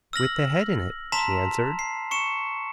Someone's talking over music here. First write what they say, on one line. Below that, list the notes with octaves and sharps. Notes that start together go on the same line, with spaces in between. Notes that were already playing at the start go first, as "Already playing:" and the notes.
"With the head in it," she answered.
E6 F6 A#6 F#7
A5 A#5 C6 B6 E7 F7
C7
C#6 C#7 E7